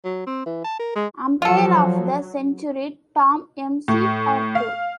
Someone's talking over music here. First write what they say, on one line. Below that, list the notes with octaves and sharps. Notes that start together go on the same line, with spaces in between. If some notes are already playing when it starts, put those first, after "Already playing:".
Umpire of the Century: Tom McArthur.
F#3
C4
E3
A5
A#4
G#3
F3 F#3 F4 A4
A2
F5